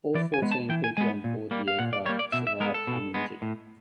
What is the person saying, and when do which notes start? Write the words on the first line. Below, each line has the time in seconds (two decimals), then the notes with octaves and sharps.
All fourteen people on board the aircraft survived uninjured.
0.15 E3 D5
0.34 G#5
0.42 G#3 B3
0.51 A5
0.69 E3 G5
0.84 G#5
0.97 G#3 B3 G#5
1.24 A#2
1.51 G3 A#3
1.68 F5
1.79 A#2 F#5
1.93 D5
2.06 G3 C#5
2.09 A#3
2.19 D5
2.32 B2 E5
2.47 E5
2.60 G#3 B3 A#4
2.74 A4
2.87 B2
3.14 G#3 B3
3.42 A2